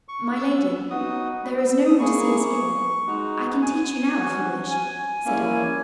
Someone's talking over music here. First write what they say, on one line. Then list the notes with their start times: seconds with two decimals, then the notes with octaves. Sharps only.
"My lady, there is no one to see us here; I can teach you now, if you wish," said I.
0.08 C#6
0.35 E6
0.90 B3 D#4 F#4 D#6
1.44 B5
1.58 E6
1.71 E6
1.85 D#6
1.99 A#3 E4 G#4 C#6
3.07 G#3 D#4 F#4
3.62 G#5
4.16 C#4 F#4
4.71 G#5
5.25 A#3 C#4 E4